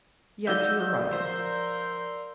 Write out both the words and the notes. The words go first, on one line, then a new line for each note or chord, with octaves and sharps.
Yes; you are right.
G#3 D#4 F#4 D5 F5 E6 G6
F3 A#4 C5 C6